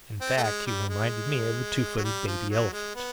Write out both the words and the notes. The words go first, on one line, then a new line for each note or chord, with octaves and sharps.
In fact, he reminded me of a two-footed baby elephant.
C4
A3
G#3
G3
G#3
F#3
G3
F3
F#3
G#3
B3